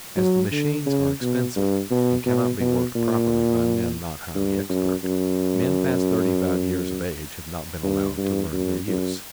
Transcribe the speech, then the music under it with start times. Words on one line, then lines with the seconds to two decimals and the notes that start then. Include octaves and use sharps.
As the machines are expensive and cannot be worked properly by men not highly expert, men past thirty-five years of age have not been allowed to learn their use.
0.17 F#3
0.52 D3
0.86 C#3
1.21 B2
1.56 G2
1.91 B2
2.26 B2
2.60 B2
2.96 A#2
4.35 G2
4.69 F#2
5.04 F#2
7.83 G2
8.18 G2
8.53 F#2
8.87 F#2